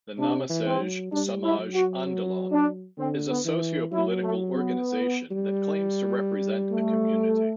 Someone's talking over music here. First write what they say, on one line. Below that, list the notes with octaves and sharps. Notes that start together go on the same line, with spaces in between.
The Namassej Samaj Andolon is a socio-political organisation that claims to represent the community.
C3 D4
E3
C4
F#3
G3 D4
E4
F#3
F#4
D4
D3 C4
B3
E3
F#3 E4
A3
B3
G3
A3